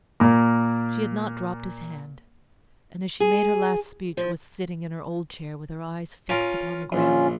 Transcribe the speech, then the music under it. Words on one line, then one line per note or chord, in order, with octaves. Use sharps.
She had not dropped his hand, and as she made her last speech was sitting in her old chair with her eyes fixed upon the ground.
A#2 A#3
G#4
F3
C#4 F4 A#4
A#1 C#4 F4